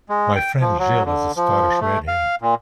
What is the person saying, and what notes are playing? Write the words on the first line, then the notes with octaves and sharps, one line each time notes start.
My friend Gill is a Scottish redhead.
G#3
G5
F3
F#3
D3
F3
A3
F5
A#2